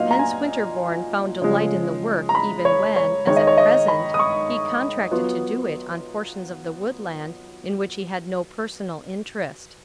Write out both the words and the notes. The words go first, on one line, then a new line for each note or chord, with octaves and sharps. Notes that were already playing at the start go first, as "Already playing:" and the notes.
Hence Winterborne found delight in the work even when, as at present, he contracted to do it on portions of the woodland in which he had no personal interest.
Already playing: A#2 F#3 B3 D#4 D#5 F5
A#5
G#5
C#3 F3 G#3
A#5
B5
C#5
C#5
D#3 G#3 D#4 C#5
D#5
C#5
D#5
B5
D#6
C#6
F#3 B3 F4